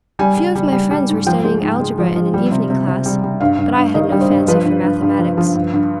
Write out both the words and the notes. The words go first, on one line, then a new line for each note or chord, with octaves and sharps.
A few of my friends were studying algebra in an evening class, but I had no fancy for mathematics.
G3 G#5
G3
G3
G3
G3
G#2
F3 G5
G#3
G#2
G#3
F3
F3
G3
C3
C3
C3
G3
G3
G2 F5
G2
G2
D#3 D#5
G3
C5
G2
F3 B4
G2
G2
G2
F3
F3
G2
G2